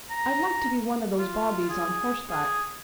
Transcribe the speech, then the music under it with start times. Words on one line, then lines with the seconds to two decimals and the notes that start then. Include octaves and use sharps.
I'd like to be one of those bobbies on horseback.
0.10 A#5
1.19 F4
1.70 G#4
2.30 G#4